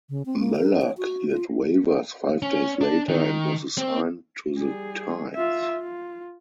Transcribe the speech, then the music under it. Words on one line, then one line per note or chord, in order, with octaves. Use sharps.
Moeller cleared waivers five days later and was assigned to the Tides.
C#3
C4
A#3
A#4
C#5
F#4
F4
C#4
D4
D#3
C4
G3 G#4
F4 E5
F4